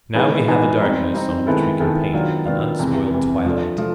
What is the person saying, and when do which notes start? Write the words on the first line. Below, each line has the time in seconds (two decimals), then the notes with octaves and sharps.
Now we have a darkness on which we can paint, an unspoiled twilight.
0.14 E3 G#3 B3 D#4 G#4
0.48 E3 G#3 B3 D#4 G#4
0.81 G3 C4 D#4
1.14 G3 C4 D#4
1.46 D#3 G#3 B3 E4 A4
1.80 D#3 G#3 B3 E4 A4
2.14 D#3 F#3 B3 D4 F4
2.46 D#3 F#3 B3 D4 F4
2.79 E2 C3 E3
3.12 E2 C3 E3
3.45 F3 A3 D4
3.78 F3 A3